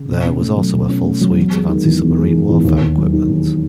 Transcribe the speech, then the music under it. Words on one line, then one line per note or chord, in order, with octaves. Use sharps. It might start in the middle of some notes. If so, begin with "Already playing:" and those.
There was also a full suite of anti-submarine warfare equipment.
Already playing: C#3
B2
C#4
A3
F#3
B2
C#4
A3
F#3
E1
G#3
D#3
E2
E1
G#3
D#3
E2
D#2
D#2
F#3
D#3
D#2